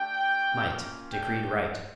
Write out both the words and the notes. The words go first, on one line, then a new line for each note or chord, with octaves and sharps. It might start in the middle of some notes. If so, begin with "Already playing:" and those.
Might decreed right.
Already playing: A3 D4 G4 G5
A#3 C#4 F4
A3 D4 G4 G5